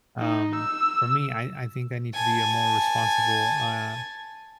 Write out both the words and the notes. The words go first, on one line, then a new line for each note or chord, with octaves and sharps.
um, for me, I I think I need to be a more responsible, uh,
D#4
E6
G#5 A5